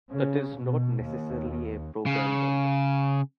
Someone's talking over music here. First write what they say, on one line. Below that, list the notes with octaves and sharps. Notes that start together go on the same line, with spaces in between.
It is not necessarily a program bug.
C#3
B2
D#2
C#3